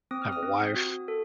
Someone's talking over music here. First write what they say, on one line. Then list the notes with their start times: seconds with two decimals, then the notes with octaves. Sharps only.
I have a wife,
0.11 C4 D#6
0.22 F6
0.33 D#6
0.43 C4
0.76 F#4
1.08 A4